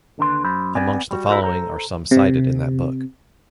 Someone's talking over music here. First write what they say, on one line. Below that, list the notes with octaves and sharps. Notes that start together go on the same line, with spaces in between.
Amongst the following are some cited in that book.
D#2 D3 D4 B4 C6
F#2 C5 B5
B3 C4 D5 G#5
G3 F#4
E4 F#4 A4 C5
A4 C5 A#5
C3